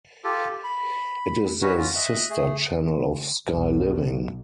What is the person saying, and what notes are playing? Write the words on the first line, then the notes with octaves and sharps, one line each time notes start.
It is the sister channel of Sky Living.
F4 G4 A4
B5
C#4 D#4 F#4 B4 C#5
C#4 F4 F#4
D#5 E5 F#6
A3 G#4
B1